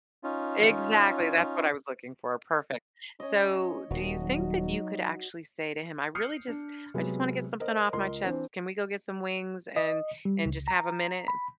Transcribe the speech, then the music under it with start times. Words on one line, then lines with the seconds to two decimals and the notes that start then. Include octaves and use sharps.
Exactly, that's what I was looking for, perfect. So, do you think that you could actually say to him, "I really just I just wanna get something off my chest, can we go get some wings and and just have a minute?"
0.24 C#4 D#4 F4
3.20 C#4 C#5 D#5
3.90 D#1 D#3 F#4 D#5
4.20 F#3 D#4
6.15 D#6 F6 G6 C7 C#7
6.48 D4
6.94 C3 F#3 G#3 B3
7.60 A#4 C5 D#5
7.93 C#2 A#4 D#5 C6
8.24 E3 C4 D4
9.76 D#5
10.25 G3
10.46 C#2
10.68 A#5
11.28 B5